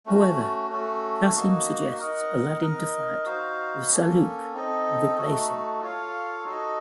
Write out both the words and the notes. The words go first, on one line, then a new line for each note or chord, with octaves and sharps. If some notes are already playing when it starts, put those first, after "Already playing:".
However, Cassim suggests Aladdin to fight with Sa'luk and replace him.
A3 C#4 F#4
A3 C#4 F#4 A4
A#3 D#4 F#4
D#4 A#4 D#5 F#5
D#4 A#4 D#5
D#4 F#4 C5 F5
A#3 C#4 A4
C4 D#4 A4 D#5
A3 D#4 F#4 A4
F4 A4 C#5 F5
D#4 F#4 A4 D#5